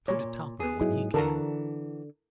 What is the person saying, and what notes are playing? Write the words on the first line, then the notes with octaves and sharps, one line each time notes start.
So did Topper when he came.
A#2 C#5
B3 G#4
G#2 F#3 G#3 E4
D3 E3 D4 F#4 A4 A#4 A#5